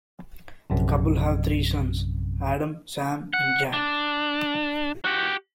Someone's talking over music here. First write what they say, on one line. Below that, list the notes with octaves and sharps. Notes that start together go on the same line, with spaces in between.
The couple have three sons: Adam, Sam and Jack.
A#1 F#2 C3
F#5
D4
F#4 G4